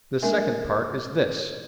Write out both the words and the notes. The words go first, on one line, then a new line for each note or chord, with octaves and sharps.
The second part is this.
G#3 A#3 D4 A#4 E5 G#5